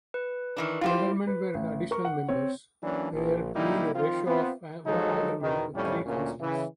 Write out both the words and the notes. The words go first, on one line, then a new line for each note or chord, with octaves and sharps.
Aldermen were additional members, there being a ratio of one alderman to three councillors.
B4
D#3 E3 D4
E4 F4 G4 C5 D6
B4
A1
A#4 C#6
F#5
C4 C#5
E3 F#3 A#3 C#4 D4
A#1
A#2 D3 G3 A#3 D#4 E4
D#3 F3 C4 F4
B3 C4 F4
F3 F#3 G#3 D#4 A4
E2 B2 D#3
F2 A2 C3 G3 C#4
D2 A#2 A#3 C#4
C#3 E3